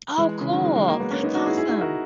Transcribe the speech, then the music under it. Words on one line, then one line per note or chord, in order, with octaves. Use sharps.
Oh, cool! That's awesome.
E3 G#3
C#3 E3
D#3 F#3
E3 G#3
E3 G#3
F#3 A#3
G#3 B3
A#3 C#4
B3 D#4
D#4 F#4
E4 G#4
E4 G#4
D#4 F#4
F#4 A#4